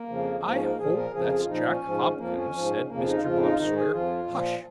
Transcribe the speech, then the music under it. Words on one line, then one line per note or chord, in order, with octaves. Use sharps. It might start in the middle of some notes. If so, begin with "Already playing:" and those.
'I hope that's Jack Hopkins!' said Mr. Bob Sawyer. 'Hush.
Already playing: A#3
F2 C#3 F3
G#2 F3 A#3
C#4
A#3
A#2 F3 G#4
A#4
F2 C#3 F3 G#4
A#4
G#4
F4
A#2 F3 D#4
C#4
G#2 F3
F2 F3 A#3
C#4
G#2 F3
F2 C#3 F3 A#3
D#4
F2 C#3 F3 F4
D#4
F4
G#2 D#3 D#4
G#4
F2 F3 F4
A#2 F3